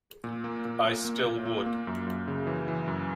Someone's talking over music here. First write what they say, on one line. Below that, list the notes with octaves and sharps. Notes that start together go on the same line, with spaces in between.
I still would.
A#2
A#3
A#2
A#3
A#3
A#2
A#3
A#3
F#2
F#2
C#3
E3
E3
F#2